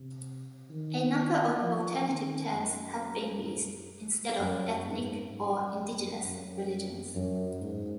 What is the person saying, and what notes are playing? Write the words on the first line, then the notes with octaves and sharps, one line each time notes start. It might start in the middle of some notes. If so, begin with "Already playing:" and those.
A number of alternative terms have been used instead of "ethnic" or "indigenous" religions.
Already playing: C3
D#3
F3
D#3
F#2
F#2
G#2
F#2
F#2
F#2
G#2